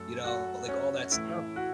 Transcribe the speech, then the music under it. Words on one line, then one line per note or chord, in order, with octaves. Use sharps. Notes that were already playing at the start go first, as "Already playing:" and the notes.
you know, like, all that stuff?
Already playing: F#2 F#3 A3 A4
F#4
C#4
A2 E3 A3 E4
F#4